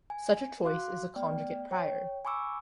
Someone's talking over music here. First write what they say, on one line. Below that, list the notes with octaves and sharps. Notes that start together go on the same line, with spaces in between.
Such a choice is a "conjugate prior".
G#5
F#4 F5 C6 D6 F#6
A3 B3 D5 G5 F6
C#5 G5
G#5 B5 C#6 D6 E6